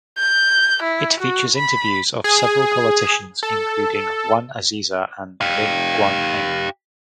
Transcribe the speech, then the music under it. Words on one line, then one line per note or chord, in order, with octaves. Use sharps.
It features interviews of several politicians including Wan Azizah and Lim Guan Eng.
G6
E4
F#4
B5
G#4
A4
G4 F5